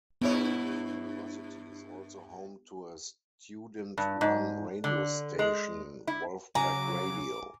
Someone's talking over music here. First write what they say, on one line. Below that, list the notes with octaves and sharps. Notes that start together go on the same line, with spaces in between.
The university is also home to a student-run radio station, Wolf Pack Radio.
G2 B3 E4 C#5
G2
G#2
D3
G#3
E4
C#3 F#3 G#5 A#5 D6